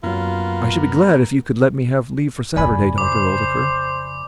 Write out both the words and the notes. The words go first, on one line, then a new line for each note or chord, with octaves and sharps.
"I should be glad if you could let me have leave for Saturday, Dr. Oldacre."
F#2 F#3 A#3 B3 F4 A#4
F2 C#3 D5 G#5 B5
C5 D6